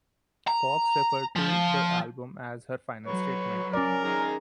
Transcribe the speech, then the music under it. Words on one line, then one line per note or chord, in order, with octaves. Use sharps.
Cox referred to the album as her "final statement".
A#5
F3
F#3 B4 C#5
C#4 A#4 D5
D#3 G#4 A#5